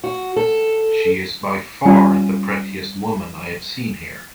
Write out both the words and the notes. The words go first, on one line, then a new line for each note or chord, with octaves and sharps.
She is by far the prettiest woman I have seen here.
F#4
A4
G3 C#4 F4 G#5